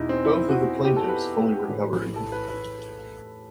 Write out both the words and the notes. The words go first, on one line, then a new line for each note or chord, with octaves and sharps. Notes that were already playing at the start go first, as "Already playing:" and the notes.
Both of the plaintiffs fully recovered.
Already playing: E2 B2 D#4 E4
C4
E4
F#4
G4
A4
B4
A2 E3
A4
B4
B4